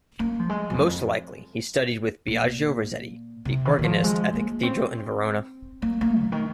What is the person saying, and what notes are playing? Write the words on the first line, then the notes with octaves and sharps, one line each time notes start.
Most likely he studied with Biagio Rossetti, the organist at the cathedral in Verona.
A#3
F3
G#3
F2
A#2
C3
D#3
D#3
F3
G#3
A#3
C4
A#3
A#3
A#2
D#3